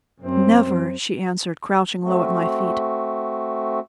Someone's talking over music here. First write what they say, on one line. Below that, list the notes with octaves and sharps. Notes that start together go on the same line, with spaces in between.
"Never!" she answered, crouching low at my feet.
F#2 C4
A3 C4 F#4